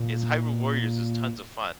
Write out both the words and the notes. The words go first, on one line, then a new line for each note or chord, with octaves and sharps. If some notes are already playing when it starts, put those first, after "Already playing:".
is, Hyrule Warriors is tons of fun,
Already playing: A#2